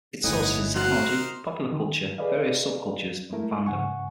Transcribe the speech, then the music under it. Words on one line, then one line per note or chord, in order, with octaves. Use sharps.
Its sources are technology, popular culture, various sub-cultures, and fandom.
G1 A2 D#4 E4 D#5 F#5 G#5
D#4 F#4 A#4 C5 F#6
D#3
G#4 A4 B4 D5 D#5 F5
G#3 A3 E4 A#4
G#2 C#3 F#5 G#5 C#6